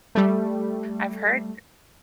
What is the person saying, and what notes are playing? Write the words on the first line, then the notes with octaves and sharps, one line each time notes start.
I've heard
G3 A3